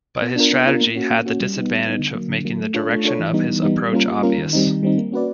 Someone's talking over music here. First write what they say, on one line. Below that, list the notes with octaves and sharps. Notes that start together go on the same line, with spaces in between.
But his strategy had the disadvantage of making the direction of his approach obvious.
B3
D4 F4 A#4
B3
D4 F4 A#4
A#3
C#4 F#4
A#3
C#4 F#4
G3
B3 D#4
G3
B3 D#4
D3
F#3 A#3
D3
F#3 A#3
A3
D4 F4 A4 C#5
A3
D4 F4 A4 C#5
E3
G3 B3 D#4
E3
G3 B3 D#4
G3
A#3 C#4 F4 A#4
G3
A#3 C#4 F4 A#4
D#3
G3 C4 D#4
D#3
G3 C4 D#4
A#3
C#4 F#4 B4 D5